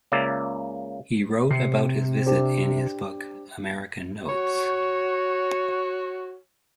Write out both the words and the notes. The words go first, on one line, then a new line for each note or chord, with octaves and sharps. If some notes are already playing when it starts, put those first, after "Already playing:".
He wrote about his visit in his book, "American Notes".
C#2 C#3 A#3 D5 E5
C3 C7 C#7
D4 G4 C5
F#4 C#5